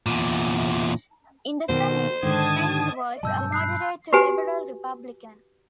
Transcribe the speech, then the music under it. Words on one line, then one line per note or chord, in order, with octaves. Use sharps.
In the Senate, Heinz was a moderate-to-liberal Republican.
E2 A#2
B2 D#3 C5
G#2 D3 D#3 A5 D#6 G#6
G2 B2 F#3 A5 E6 G6
B5 F#6 C7
F#4 G4 B4 G#5